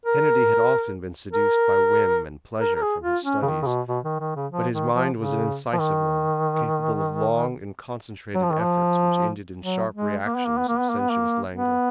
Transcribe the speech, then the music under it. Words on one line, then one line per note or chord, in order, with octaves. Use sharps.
Kennedy had often been seduced by whim and pleasure from his studies, but his mind was an incisive one, capable of long and concentrated efforts which ended in sharp reactions of sensuous languor.
A#4
A#4
A#4
A#4
G#4
F4
C#4
C#3
D#3
C#3
B2
B2
D#3
D#3
C#3
F3
D#3
F3
C#3
F3
D#3
F#3
F3
D#3
F3
F#3
G#3
A#3
B3
A#3
B3
A#3
B3
A#3
B3
A#3
B3